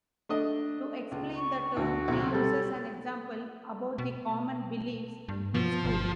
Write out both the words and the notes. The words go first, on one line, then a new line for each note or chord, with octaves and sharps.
To explain the term, he uses an example about the common beliefs in school.
A3 D4 D#5
C#2
C#6
D2 F#4
B1 C3
G3 C4 A4
B2
G2
B2 F3
G1